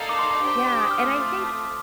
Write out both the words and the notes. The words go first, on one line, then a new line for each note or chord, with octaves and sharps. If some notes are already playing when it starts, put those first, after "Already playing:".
Yeah, and I think
Already playing: A#3 D#4 A4 D5 F5
D6
C6
D6
D4 G4 C5 G5
D6
D#6
F6
A3 C4 F4